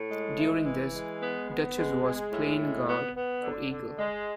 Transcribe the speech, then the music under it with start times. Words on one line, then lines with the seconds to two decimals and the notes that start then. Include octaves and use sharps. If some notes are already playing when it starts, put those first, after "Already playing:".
During this, "Duchess" was plane guard for "Eagle".
Already playing: A2
0.09 G#3
0.36 E3
0.64 E3
0.92 G#3
1.21 B3
1.48 B3
1.76 G#3
2.04 G#3
2.32 A2
2.59 G#3
2.86 B3
3.14 B3
3.42 D3
3.70 D3
3.97 G#3